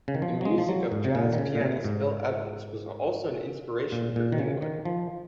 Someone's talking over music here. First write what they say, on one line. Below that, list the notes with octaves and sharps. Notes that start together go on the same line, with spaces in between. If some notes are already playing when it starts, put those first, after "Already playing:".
The music of jazz pianist Bill Evans was also an inspiration for Greenwood.
C#3
D#3
F3
F#3
G#3
F3
F#3
G#2
C3
A#2
D#3
C#3
A#2
C3
G#2
A#2
A#2
D#3
C#3
D#3
F3